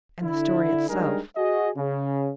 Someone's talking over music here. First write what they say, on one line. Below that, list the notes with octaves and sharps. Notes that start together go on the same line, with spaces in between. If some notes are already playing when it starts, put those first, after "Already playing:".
And the story itself.
D3 E4
G3 G#3 D4 D#4 G#4 A#4
F#4 G#4 D#5
C#3